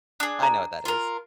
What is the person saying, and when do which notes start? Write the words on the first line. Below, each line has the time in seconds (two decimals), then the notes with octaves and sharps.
I know what that is.
0.20 D4 G#4
0.43 A#5
0.85 F4 A#4